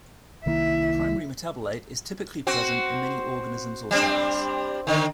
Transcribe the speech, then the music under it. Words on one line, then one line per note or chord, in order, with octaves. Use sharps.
A primary metabolite is typically present in many organisms or cells.
C2 D#3 A#3 E4 E5
C4 F#4
G3 C4 D4
D3 D#3